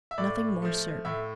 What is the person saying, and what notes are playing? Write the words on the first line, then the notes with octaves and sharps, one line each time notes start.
Nothing more certain.
E5
A2 D5
F3 A3
A2 E5